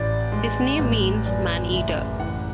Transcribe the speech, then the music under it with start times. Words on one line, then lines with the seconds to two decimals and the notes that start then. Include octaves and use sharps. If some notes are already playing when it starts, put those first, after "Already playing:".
His name means "man eater".
Already playing: A1 A2 D5
0.32 G#3
0.79 A1
1.26 F#2 D5
1.72 F#1 E5
2.20 E3 F#5